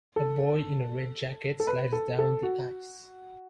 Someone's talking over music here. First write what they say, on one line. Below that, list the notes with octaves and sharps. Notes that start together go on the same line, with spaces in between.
A boy in a red jacket slides down the ice.
A4
A4
B4
A4
A4
F#4